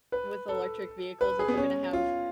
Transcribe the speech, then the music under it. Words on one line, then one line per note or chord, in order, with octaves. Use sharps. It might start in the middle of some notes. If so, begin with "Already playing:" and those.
with electric vehicles if we're gonna have
B4
A4
B4
G#4
B3
C#4
F4